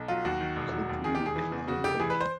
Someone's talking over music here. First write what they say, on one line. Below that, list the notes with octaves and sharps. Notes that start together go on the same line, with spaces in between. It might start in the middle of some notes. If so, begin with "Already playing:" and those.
Could we climb it?
Already playing: B1
F#3 F4
D#2 F#4
D#3
E1
F#3
D#2
D#3 G#4
G4
E1
G#4
E3
E2
C#3 F#4
F1 G4
E3 G#4
B4
C5